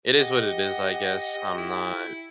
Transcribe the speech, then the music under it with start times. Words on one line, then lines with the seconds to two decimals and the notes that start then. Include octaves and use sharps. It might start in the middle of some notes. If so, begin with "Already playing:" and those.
it is what it is, I guess, I'm not
0.19 G4 D#5 F#5
1.58 E4